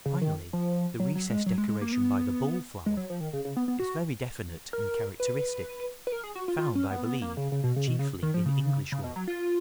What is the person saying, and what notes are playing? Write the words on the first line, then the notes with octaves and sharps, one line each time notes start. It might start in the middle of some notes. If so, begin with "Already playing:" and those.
Finally the recess decoration by the ball flower is very definite and characteristic, found, I believe, chiefly in English work.
C#3
D#3
F3
F#3
F#3
G#3
F#3
G#3
G#3
A#3
B3
G#3
F#3
F3
D#3
C#3
C#3
B3
B3
F#4
A#4
B4
B4
A#4
G#4
F#4
F4
F4
C#4
B3
B3
A#3
C#3
C#3
B2
C#3
B2
C#3
D#3
F3
C#3
C#3
B2
F#3
F4